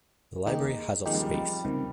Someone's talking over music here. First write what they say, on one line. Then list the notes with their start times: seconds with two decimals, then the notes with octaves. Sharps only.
The library has of space.
0.46 D#2 D#3 G#3 D#4 G4
1.06 D#2 D#3 F3 G#3 D#4 G4
1.15 G3
1.23 F3
1.34 G3
1.65 C#2 C3 D#3 G3